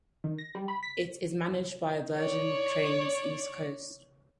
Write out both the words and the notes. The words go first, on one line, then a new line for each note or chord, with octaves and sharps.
It is managed by Virgin Trains East Coast.
D#3
A#6
G3
B5
B6
C#5 D5